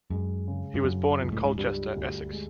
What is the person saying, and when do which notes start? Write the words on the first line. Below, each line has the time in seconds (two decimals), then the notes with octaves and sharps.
He was born in Colchester, Essex.
0.10 F#2 G#3
0.48 C#3
0.74 G2
0.84 F#2 F#3
1.21 C#2
1.32 A2
1.45 G#2
1.58 G2 G3
1.95 D2
2.32 G#3